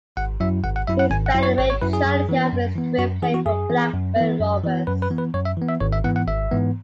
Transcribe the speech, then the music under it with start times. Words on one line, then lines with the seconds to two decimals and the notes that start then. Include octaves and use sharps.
He spent the majority of his career playing for Blackburn Rovers.
0.17 G#1 F#5
0.40 F#2 F#3 E4 E5
0.64 G#1 F#5
0.76 F#5
0.87 F#2 F#3 E4 E5
0.99 F#5
1.11 G#1 G#5
1.26 F#5
1.34 F#2 F#3 E4
1.43 C#5
1.58 G#1 C#5
1.70 C#5
1.81 F#2 F#3 E4 B4
1.93 G#4
2.05 F#2
2.29 E3 B3
2.53 F#2
2.76 E3 B3
2.99 F#2 F#4
3.22 E3 G#4
3.26 B3
3.34 F#4
3.46 F#2 G#4
3.70 E3 B3
3.93 F#2
4.16 E3 B3
4.40 F#2
4.63 E3 B3
4.87 F#2 B4
5.02 B4
5.10 E3 B3
5.18 B4
5.34 F#2 C#5
5.45 E5
5.57 E3 B3
5.69 E5
5.80 G#1 C#5
5.92 E5
6.04 G#2 E3 B3 F#5
6.16 F#5
6.28 G#1 E5
6.51 G#2 E3 B3